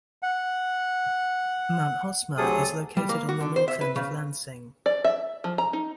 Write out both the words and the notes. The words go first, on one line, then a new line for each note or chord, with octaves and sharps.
Mount Hosmer is located on the north end of Lansing.
F#5
D2 C3 F#3 G#4 A4 D#6
G3
A#3
F#4
D3
C5
E5
B4
C#3
D5
E5
F3
A#5
D#4